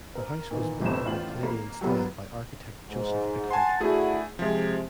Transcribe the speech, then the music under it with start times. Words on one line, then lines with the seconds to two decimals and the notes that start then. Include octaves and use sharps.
The house was built in the Palladian style by architect Joseph Pickford.
0.15 A#4
0.51 A#2 D#3 E3
0.81 G1 F2 C3 A3 B3 E7
1.05 A1 D4 F4 G5 F#7
1.43 A#3
1.81 F#3 G3 A#3 B3 F4
2.89 G#2
3.51 F#5 G#5 A5 C6
3.80 A3 D4 E4 F#4 G#4
4.39 C3 F3 G#3